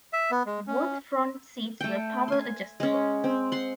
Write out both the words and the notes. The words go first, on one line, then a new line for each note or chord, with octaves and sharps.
Both front seats were power adjustable.
E5
B3
G#3
C#4
A3 G5
G#5 C6
G#3 C#4
C4
F#5 C6